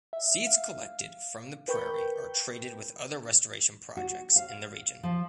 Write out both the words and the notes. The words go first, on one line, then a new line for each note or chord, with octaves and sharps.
Seeds collected from the prairie are traded with other restoration projects in the region.
E5
F5
A#4 B4 G5 B5 C#6 G6
F#4
F5
F3